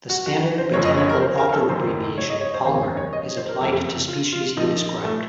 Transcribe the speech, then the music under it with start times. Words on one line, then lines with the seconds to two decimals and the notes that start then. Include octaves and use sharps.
The standard botanical author abbreviation Palmer is applied to species he described.
0.09 F#4
0.26 F#4
0.58 C5
0.73 F#1 F#2 F3 C#5
0.85 D#5
0.97 C#5
1.09 A#4
1.21 C5
1.38 A#4
1.49 A#4
1.53 A4
1.69 F#1 F#2 D#3 C5
2.18 C#5
2.30 D#5
2.41 C#5
2.54 C5
2.64 F1 D#2 D#3 C5
2.81 C5
2.97 C#5
3.13 D#5
3.37 C5
3.48 A#4
3.61 F#1 F2 C#3 A4
4.08 F4
4.33 F4
4.57 A#1 A#2 F3 D#4
5.04 A3